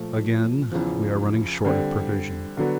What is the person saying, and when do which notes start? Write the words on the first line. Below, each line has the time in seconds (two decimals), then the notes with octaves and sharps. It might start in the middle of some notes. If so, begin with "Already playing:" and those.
Again we are running short of provision.
Already playing: A#2 F3 A3
0.72 E2 C#3 F3
1.65 D3 G3 C4
2.57 D3 F#3 B3